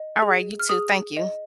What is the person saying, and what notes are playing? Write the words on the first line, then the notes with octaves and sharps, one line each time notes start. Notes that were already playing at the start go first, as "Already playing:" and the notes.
All right, you too. Thank you
Already playing: D#5
G#4
F6
G#4 D#6
D#5